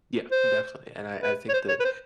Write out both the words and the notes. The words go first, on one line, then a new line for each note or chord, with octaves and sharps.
Yeah. Definitely, and I I think that
C5
B4
C#5
C5
C#5
B4
C5